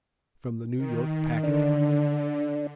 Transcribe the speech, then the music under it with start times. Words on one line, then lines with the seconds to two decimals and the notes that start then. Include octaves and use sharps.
From the New York Packet.
0.77 D#3
1.43 D3 D4